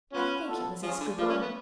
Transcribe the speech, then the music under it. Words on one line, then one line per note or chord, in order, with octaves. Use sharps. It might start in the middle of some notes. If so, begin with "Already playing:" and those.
I think it was Escoublon.
B3 C#4 F4 B4 F5
B3 F4 A4
F3 C#4 F4 G#4
D3
F3 A3 F4 B4 D5 F5
C#4
B3